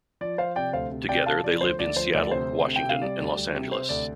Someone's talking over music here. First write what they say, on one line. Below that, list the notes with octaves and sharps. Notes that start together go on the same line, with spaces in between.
Together, they lived in Seattle, Washington and Los Angeles.
F3 D5
F3 C5 F5
C3 D5 G5
D2 C5 F5
C3
C3 D5 G5
C3 F5 A5
F3 D5
D2 C5
D2 D5
F3 C5
D2 D5
C3 C5
D2
C3
G5
C3 F5
G3 D5
D2
G3
C3
C3 C5
D2 D5